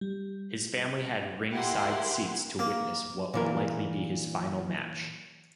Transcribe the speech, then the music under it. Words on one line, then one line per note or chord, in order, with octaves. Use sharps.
His family had ringside seats to witness what will likely be his final match.
G3
E4 G4 A#4 F#5 C6
A#3
A#2 E3 A#4